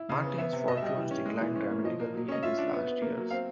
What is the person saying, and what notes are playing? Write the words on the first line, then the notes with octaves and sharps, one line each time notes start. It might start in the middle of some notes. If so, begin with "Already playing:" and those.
Martin's fortunes declined dramatically in his last years.
Already playing: E4
C#3
B3
B3 E5
C3
B2 D#5
E5
G3 D#5
E3
C#4
G#3
E3
C#4
A#3
F3 D#5
A#3
F#3
C#4 D#5
F4 E5
D4
B3
B3
A#3
F#3
C4 F5